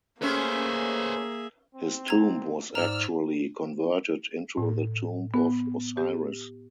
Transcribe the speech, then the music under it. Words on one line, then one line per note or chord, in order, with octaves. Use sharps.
His tomb was actually converted into the tomb of Osiris.
A3 A#3 C#4 G4 G#4 B4 C5 E5
C4
A#5 G#6
G#2 D5 A#5 E6 F6
A2
B3
G4